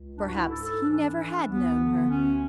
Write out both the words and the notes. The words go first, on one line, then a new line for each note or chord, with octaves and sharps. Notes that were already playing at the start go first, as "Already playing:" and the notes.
Perhaps he never had known her.
Already playing: C#2
G#2 D4
F#4
E4
G#2 A4
A4
E3 D4
E3
D2 B3
D3
D2 C#4